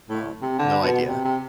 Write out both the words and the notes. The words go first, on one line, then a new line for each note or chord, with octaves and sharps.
Um, no idea.
A2
C3
D3
B2
C3
C3